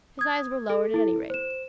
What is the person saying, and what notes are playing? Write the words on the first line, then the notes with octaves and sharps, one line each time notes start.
His eyes were lowered, at any rate.
D#6 G#6
A4
E4 A4
C5 E7